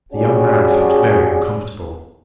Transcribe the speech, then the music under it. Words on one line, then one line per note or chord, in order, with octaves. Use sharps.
The young man felt very uncomfortable.
G3 C#4 D4 F#4 G#4